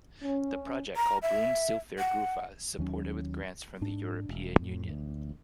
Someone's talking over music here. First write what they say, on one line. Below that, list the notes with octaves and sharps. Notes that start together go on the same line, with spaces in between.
The project, called Brunns Silfvergrufva, is supported with grants from the European Union.
C#4
A#5
E5
F#5
D#2 F#3 C#4
G#2 D4
E1
F2 A2
D2